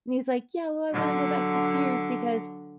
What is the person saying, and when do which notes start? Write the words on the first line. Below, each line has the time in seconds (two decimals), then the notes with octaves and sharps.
and he's like, "Yeah, well, I wanna go back to steers, because,
0.90 D3 F#3